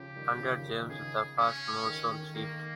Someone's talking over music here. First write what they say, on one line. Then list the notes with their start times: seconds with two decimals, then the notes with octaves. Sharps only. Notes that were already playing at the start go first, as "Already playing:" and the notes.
Under James the First Monson thrived.
Already playing: C#3 F3 G4
0.16 D#3 G3
0.40 C#3 F3
0.53 D#3
0.65 D#3
0.76 D#3
0.89 C#3 G#4
1.38 C#4
1.87 D#3
2.11 D#3
2.35 D#3 A#3